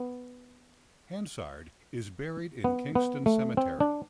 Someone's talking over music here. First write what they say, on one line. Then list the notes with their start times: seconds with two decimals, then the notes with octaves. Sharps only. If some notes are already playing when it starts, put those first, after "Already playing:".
Hansard is buried in Kingston Cemetery.
Already playing: B3
2.64 B3
2.95 B3
3.26 A3
3.57 C4
3.80 D4